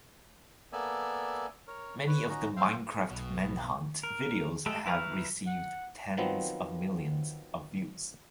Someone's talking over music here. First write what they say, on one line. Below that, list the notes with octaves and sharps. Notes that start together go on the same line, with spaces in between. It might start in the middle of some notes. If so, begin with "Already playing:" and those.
Many of the "Minecraft Manhunt" videos have received tens of millions of views.
A#3 B3 A4 D5 E5 G#5
A#4 C#5
B4 C#5
C#4 D#4 F#4 A#5
C4 E5 F5 G5 C6
B1 B2
A#4
G#3 A3 G4 A4
E4 B4 A#5 C#6 F6
F#5
D#3 F3 F#3 B3 C4